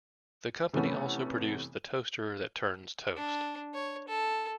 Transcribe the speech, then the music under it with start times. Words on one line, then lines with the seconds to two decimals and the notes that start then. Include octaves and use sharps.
The company also produced the toaster that turns toast.
0.73 C3 E3 A3 B3 C#4
3.16 D4
3.74 C#5
4.08 A4